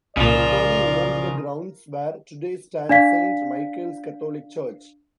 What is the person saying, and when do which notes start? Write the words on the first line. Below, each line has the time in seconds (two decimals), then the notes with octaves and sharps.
Anthony owned the grounds where today stand Saint Michael's Catholic Church.
0.17 C2 A#2 C#3 F3 F4 A#4 D5
2.89 D4 D5 F5 B6